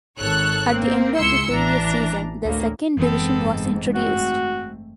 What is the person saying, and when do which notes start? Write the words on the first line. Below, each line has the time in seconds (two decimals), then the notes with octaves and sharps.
At the end of the previous season the second division was introduced.
0.18 G#1 D#3 A4 C#5 F#6
0.70 A#3 C4
1.16 C#2 G#3 E4 C6 E6 C#7
1.50 A1 E3 D4 A#5
2.43 D2 A2 A#3
2.97 F#1 G#2 E3 B3 C4 A4
3.95 A3 C4 F#4